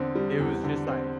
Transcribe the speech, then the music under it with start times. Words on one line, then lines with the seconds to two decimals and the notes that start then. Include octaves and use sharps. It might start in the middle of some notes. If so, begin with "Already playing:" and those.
it was just, like,
Already playing: E2 D3 C4
0.15 G3
0.40 E2
0.64 D3
0.87 C4